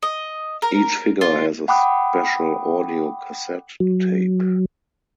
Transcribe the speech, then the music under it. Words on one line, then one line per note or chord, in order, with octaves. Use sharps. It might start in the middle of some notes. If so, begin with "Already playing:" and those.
Each figure has a special audio cassette tape.
D#5
A#4
F4
F#5 G5 B5 D6 D#6 F#6
F#3